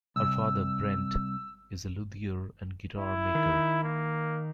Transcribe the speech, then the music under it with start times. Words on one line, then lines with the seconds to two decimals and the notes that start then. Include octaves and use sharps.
Her father, Brent, is a luthier and guitar maker.
0.16 C2 E6
2.97 E4
3.35 D#3
3.84 A#3